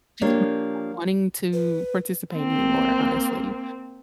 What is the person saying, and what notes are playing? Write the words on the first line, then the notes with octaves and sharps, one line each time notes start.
just really not wanting to participate anymore, honestly.
F3 A#3 D4 G4 C#5
B4
A#3 C4